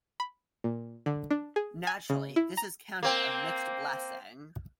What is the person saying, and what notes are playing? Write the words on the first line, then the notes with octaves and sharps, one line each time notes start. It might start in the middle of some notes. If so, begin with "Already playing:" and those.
Naturally, this is counted a mixed blessing.
B5
A#2
D3
D4
G#4
G#5
C#3
E4
A#5
A#3 C4